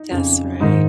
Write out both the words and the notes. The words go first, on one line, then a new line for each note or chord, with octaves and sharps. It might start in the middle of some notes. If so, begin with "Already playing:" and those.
That's right.
Already playing: D#4
F2 C#3
G#2 D#3 D#4